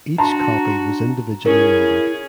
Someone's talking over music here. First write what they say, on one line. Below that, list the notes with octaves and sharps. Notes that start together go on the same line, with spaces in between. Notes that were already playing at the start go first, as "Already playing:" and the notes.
Each copy was individually numbered.
D4 F#4 A5 A#5 C6
C#4 E4 G#4 A#4